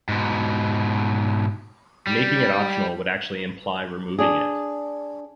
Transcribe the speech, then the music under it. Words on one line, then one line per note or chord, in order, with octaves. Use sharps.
Making it optional would actually imply removing it.
G#2 B2
G3
D4 G#4